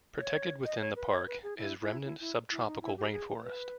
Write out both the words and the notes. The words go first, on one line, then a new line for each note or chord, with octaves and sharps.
Protected within the park is remnant subtropical rainforest.
C#5
D#5
C#5
B4
C#5
B4
G#4
E4
E4
E4
E4
E4
D#4
E4
G4
G#4
B4